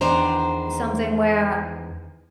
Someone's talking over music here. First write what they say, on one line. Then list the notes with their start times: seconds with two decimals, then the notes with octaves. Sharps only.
something where
0.01 E2 D#3 D4 B4 C5 A#5